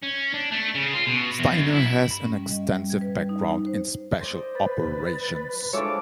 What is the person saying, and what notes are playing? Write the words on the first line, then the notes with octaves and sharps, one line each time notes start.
Stiner has an extensive background in special operations.
C#4
D4
A3
C#3
F4
B2
E2
F#2
E4
G2
C#4
G3
D#5
E5
G3
G#6
B4
G3
D#4
D#4
C5
C5 D5 D#5
B4 A6
E3 F3 G#3 D4 A4 C#5 D6